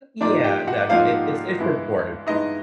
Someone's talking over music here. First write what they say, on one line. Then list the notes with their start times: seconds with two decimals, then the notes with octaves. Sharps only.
Yeah, no, no, it's it's it's important.
0.21 G#2 F3 A#3 D4 D#4 D5
0.44 G4 G5
0.67 F#4 F#5
0.89 G#2 F3 A#3 D#4 F4 F5
1.58 G2 E3 G#3 B3 E4
2.27 G2 E3 G#3 B3 D#4 E4 D#5